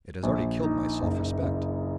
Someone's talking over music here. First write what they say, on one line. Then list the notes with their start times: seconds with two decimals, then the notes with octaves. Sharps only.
It has already killed my self-respect.
0.23 A#1
0.63 D#4
1.02 F#1
1.42 F#1